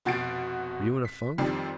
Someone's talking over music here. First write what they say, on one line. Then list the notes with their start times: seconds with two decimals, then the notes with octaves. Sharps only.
Were you in a funk?
0.05 F1 B2 F#4 A6 C7 D7
1.05 B6
1.38 F2 D#3 F3 G3 C4 D4